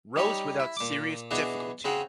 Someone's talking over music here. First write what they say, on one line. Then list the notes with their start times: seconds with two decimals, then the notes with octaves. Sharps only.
Rose without serious difficulty.
0.16 G3 D#4 G4 C#5
0.60 E4
0.77 A#2 D6
1.31 B2 E3 D4 F#4 G#4
1.85 C#3 C4 F#4 G#4 F#5